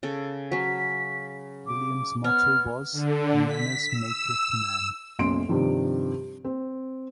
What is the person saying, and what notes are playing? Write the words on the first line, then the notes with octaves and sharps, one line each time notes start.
William's motto was 'Manners makyth man'.
C#3 A4
F#3 C#4 B6
D6
B3 C#5 F6
D3
B6
E6
F#1 B1 F#2 C6 D7
G2 C3 D#3 F3
C4